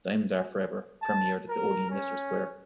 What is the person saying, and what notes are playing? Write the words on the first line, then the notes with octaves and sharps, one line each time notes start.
"Diamonds are Forever" premiered at the Odeon Leicester Square.
A5
A#4
C#4